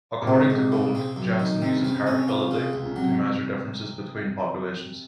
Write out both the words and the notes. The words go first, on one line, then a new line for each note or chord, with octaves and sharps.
According to Gould, Jensen uses heritability to measure differences "between" populations.
A#2
G#2 C3
G#2 C3
C#3
C4
F#2
D#3
C3 C4
C#3
C4
C#3
C3 C#4
F4
C#3
C#2
C#3
C3 F#3